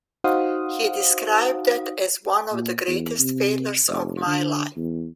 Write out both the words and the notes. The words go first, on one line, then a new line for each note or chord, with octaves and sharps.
He described that as one of the greatest failures of my life...
D#4 F#4 C5 F5 F#5 D#6
A#2
E2
C3
F1
D3
E2